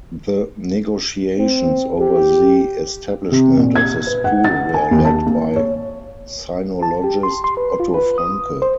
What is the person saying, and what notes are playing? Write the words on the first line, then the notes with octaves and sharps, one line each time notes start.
The negotiations over the establishment of the school were led by sinologist Otto Franke.
C4
G4
C3
A#2
G#6
B4
F#5
A6
G#5
D#2
A5
A#3
C#5
A5
G4
C6
C6
B4
F4
B4
D#6
C5